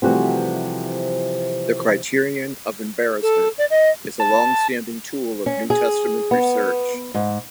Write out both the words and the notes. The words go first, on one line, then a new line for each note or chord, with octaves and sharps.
The criterion of embarrassment is a long-standing tool of New Testament research.
C3 E3 F3 G3 A3 F#4
A4
D5
D#5
A5
C#4
G#4
B3
G#2